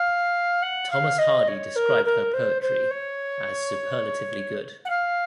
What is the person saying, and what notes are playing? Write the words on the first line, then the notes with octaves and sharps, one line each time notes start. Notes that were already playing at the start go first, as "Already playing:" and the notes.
Thomas Hardy described her poetry as "superlatively good".
Already playing: F5
F#5
F5
D#5
C#5
A#4
A#4
C5
C5
C#5
F#5
F5